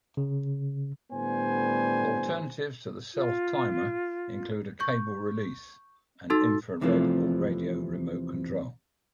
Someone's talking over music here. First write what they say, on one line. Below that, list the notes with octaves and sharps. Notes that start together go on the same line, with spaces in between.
Alternatives to the self-timer include a cable release, and infrared or radio remote control.
C#3
A2 D3 G3 B3 C5 G#5
F4
C#6 G6
D#4 F#4 A4 C6 E6 A6
E2 C3 E3 F3 A3